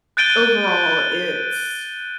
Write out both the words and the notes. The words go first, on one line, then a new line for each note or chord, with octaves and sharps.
overall, it's
F#6 G6 A6 D7 D#7 G7